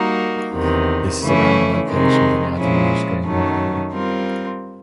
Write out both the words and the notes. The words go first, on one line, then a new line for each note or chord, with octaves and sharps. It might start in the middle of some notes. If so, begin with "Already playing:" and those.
This is around the location of the now demolished Green Market.
Already playing: G3 A#3 D#4 F#4 A#4
E2 C3 D#3
C#3 E3 A3 C#4 E4
C3 D#3 G#3
A#2 F3 G#3 C#4 E4
F#2 D#3 F#3 A3 C#4
G3 C4 F4 A#4